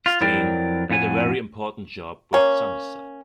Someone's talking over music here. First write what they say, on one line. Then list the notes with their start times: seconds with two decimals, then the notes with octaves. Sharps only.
Stein had a very important job with Sunnyside.
0.06 F4
0.21 F2 F#3 E4 A#4 D5 G5
0.89 F2 A2 F#5 G#5
2.33 A#3 C#4